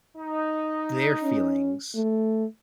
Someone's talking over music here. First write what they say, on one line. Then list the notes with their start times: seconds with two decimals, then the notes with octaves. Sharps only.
their feelings,
0.17 D#4
1.23 C#4
1.95 A3